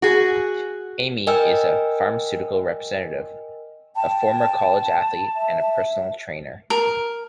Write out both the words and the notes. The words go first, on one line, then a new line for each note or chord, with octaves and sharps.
Amy is a pharmaceutical representative, a former college athlete, and a personal trainer.
F#4 G#4
A#4 D#5 G5 G#5 E6 F6
G5 A5
E5
A#4